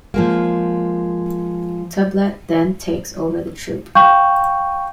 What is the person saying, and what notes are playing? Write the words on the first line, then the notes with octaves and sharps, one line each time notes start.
Tublat then takes over the troop.
F3 G#3 A#3
F5 G5 C#6 G6